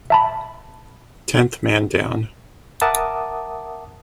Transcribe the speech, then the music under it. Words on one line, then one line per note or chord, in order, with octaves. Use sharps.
Tenth Man Down.
E5 A5 B5
A#4 E5 F#5 A5 D6 D#6